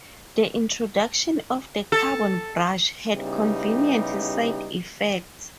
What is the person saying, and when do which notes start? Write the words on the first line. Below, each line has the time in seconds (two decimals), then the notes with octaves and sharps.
The introduction of the carbon brush had convenient side effects.
1.92 A4
3.15 C#3 G3 B3 D#4 E4 G4